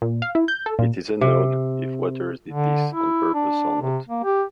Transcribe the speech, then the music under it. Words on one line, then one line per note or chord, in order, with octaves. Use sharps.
It is unknown if Waters did this on purpose or not.
A#2
F5
E4
G6
A4
A#2
C3
D3
E4
D4
C3
A#3
G4